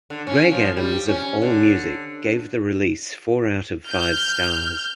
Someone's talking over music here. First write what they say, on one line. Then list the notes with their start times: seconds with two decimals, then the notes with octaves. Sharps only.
Greg Adams of Allmusic gave the release four out of five stars.
0.10 D3
0.27 C#4
0.51 F3
0.77 G3
1.08 C#4
1.42 D3
3.87 F6 G6